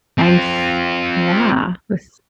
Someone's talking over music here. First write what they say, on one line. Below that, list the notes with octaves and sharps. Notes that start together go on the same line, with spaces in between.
And, s yeah. It was
C4 F4